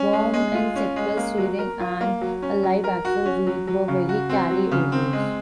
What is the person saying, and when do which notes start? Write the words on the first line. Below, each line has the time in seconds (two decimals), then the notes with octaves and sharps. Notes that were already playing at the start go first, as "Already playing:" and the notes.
Worm-and-sector steering and a live axle rear end were carry overs.
Already playing: C#4
0.13 G#3
0.34 G#3
0.54 F4
0.76 C#4
0.96 G#3
1.17 A#3
1.38 F#3
1.59 A#4
1.80 F4
2.01 A#3
2.21 F#3
2.42 C#4
2.63 F#3
2.84 A#4
3.05 F#4
3.26 C#4
3.47 F#3
3.67 F#3
3.88 C#3
4.09 F#4
4.29 C4
4.51 F#3
4.71 C#3
4.92 C4
5.13 G#3